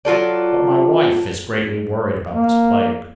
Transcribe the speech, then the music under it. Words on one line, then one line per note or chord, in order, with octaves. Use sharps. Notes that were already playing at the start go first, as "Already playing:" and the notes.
But my wife is greatly worried about this plague.
F#3 F4 A4 D5
A#3